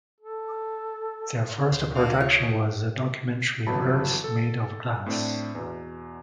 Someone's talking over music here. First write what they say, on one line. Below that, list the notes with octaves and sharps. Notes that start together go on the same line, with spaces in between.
Their first production was the documentary "Earth Made of Glass".
A4
D2 C5
D4 F#4 F5
D#4 F4 C#5
G1 E3 F#3 E4 A5 B5
A4
A2 C4 D4
E2 B2